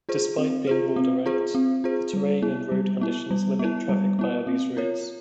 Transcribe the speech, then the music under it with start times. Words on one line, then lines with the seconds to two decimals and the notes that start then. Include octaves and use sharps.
Despite being more direct, the terrain and road conditions limit traffic via these routes.
0.09 F4 G#4 C5
0.38 C4
0.67 F4 G#4 C5
0.96 C4
1.26 F4 G#4 C5
1.55 C4
1.84 F4 G#4 C5
2.14 G3
2.42 B3 E4
2.72 G3
3.01 B3 E4
3.31 G3
3.59 B3 E4
3.89 G3
4.19 B3 E4
4.47 C4
4.77 F4 A#4 C#5